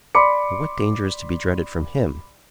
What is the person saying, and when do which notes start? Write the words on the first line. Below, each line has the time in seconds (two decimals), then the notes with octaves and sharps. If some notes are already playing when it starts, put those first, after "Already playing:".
"But what danger is to be dreaded from him?"
0.15 D5 B5 C6 D6 C#7